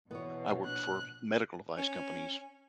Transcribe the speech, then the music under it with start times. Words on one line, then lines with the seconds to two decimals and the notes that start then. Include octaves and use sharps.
I worked for medical device companies.
0.11 E2 B2 B3 C#5
0.65 A#1 F#6
1.78 C#4